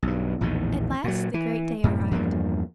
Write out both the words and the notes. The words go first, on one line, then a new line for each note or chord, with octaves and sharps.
At last the great day arrived.
B1 G2
A#1 E2 A2 D#3
A#2 F#3
E3
F#2 A2 C3
E2 G2 F3 A#3